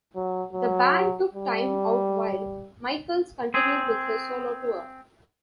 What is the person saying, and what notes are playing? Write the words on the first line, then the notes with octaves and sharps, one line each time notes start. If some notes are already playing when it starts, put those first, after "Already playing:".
The band took time out while Michaels continued with his solo tour.
F#3
F#3
G3
C4 G#4